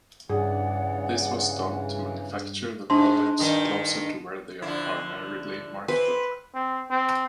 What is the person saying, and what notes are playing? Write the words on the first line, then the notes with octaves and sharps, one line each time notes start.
This was done to manufacture the products closer to where they are primarily marketed.
G2 C#3 E3 G#4 D5 F#5
G#2 D4 A5 C6
G2 D#3 D#4
D3 F3 E4
E3 C4 B4
C4
C4